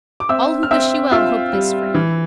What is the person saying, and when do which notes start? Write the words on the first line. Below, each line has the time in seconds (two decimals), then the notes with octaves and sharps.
All who wish you well hope this for you.
0.20 D6
0.29 C4 E5 E6
0.63 F6
0.71 C4 E5 E6
1.11 F4 E5 E6
1.53 G3
1.94 E3